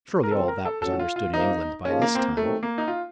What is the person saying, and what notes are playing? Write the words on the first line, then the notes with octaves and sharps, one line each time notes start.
Surely all that was understood in England by this time.
A#4
C#2 C#3 F3 C4 A4
A#4
A4
A2 F3 A3 C#4 F#4 A4
F4
F4
F2 C3 F3 A#3 D#4
D#2 C#3 F3 C#4
A#3
C4
A#3
D#2 D#3 F#3 A3 C4
A#3
D#4
F4